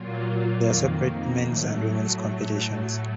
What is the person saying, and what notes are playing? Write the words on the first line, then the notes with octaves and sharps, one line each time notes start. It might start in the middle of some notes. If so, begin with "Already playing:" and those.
There are separate men's and women's competitions.
Already playing: A#2 F#3 A#3 F4
F2 D#3 A#3
A2 F#3 A3